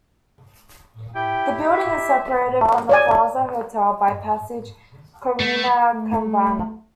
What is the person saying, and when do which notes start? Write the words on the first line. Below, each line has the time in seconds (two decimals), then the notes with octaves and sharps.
The building is separated from the Plaza Hotel by the passage Corina Kavanagh.
1.15 E4 G4 G5
1.73 E5
2.89 C#5 D5 G#5
5.40 A3
5.93 A3